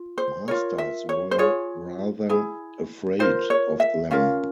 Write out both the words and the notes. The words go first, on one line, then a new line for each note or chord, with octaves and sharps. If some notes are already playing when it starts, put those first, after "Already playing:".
Masters were rather afraid of them.
Already playing: F4
C5
F4 A#4 C#5
E5
C#5
C5
F4 G#4 C#5
E4 G#4
F4 A#4 C5
C#5
E5
C#4 F4 A#4 F5